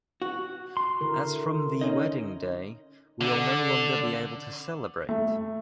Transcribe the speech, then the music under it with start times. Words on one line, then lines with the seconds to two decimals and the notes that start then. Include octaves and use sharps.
As from the wedding day, we’ll no longer be able to celebrate.
0.22 F#4
0.77 C6
1.01 D3 E4 A#4
1.81 C#4 D#4 D#5
3.21 D3
5.09 A3